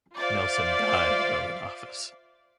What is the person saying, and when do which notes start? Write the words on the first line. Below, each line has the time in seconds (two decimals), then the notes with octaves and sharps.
Nelson died while in office.
0.17 F4 C5 D5 E5 F5